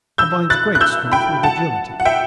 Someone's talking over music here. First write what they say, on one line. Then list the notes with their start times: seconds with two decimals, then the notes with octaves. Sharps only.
Combines great strength with agility.
0.18 E6 G6
0.50 F#6 A6
0.75 F#6
0.81 E6 G6
1.12 G5 B5
1.43 F#5 A5
2.00 F#5
2.05 E5 G5